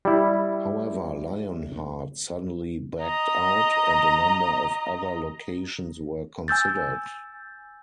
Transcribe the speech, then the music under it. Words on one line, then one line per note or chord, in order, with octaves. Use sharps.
However, Lionheart suddenly backed out, and a number of other locations were considered.
G3 E4
D#5 A#5
G#5 E6 G6 A6